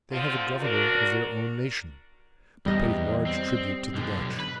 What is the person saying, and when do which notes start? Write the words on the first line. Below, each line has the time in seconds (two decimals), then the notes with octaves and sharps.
They have a governor of their own nation, but pay large tribute to the Dutch.
0.12 D3 F3 C4 F4
0.60 D4 F#4 A#4
2.66 E2 G3 D#5
3.27 C4
3.94 B1 D3
4.40 B4 B5